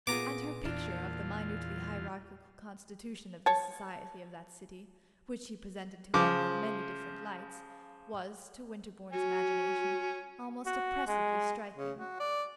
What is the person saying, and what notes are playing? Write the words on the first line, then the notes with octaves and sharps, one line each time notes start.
And her picture of the minutely hierarchical constitution of the society of that city, which she presented to him in many different lights, was, to Winterbourne's imagination, almost oppressively striking.
A#2 B3 F4 G#4 A#5 D6
E2 A#2 D4 F4
C#5 A5
C#3 F3 D6
C#4 F#4
F#4
G#3
C#3
F#4
D5